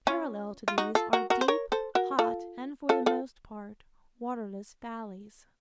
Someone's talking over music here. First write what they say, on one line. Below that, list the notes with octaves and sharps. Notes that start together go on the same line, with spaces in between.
Parallel to these are deep, hot and for the most part waterless valleys.
C#4 F4
F4
D#4 F#4
F4 A4
F#4 A#4
F#4 A#4
C5
A#4 C#5
A4 C5
F#4 A#4
F4 A4
F4 A4
F4 A4